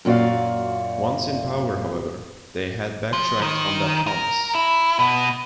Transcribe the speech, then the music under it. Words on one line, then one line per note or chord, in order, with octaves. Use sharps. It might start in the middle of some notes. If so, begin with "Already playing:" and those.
Once in power however, they had back-tracked on that promise.
F#2 A#2 F#4 D5 F5
F3
D#3
A#4
E4
B2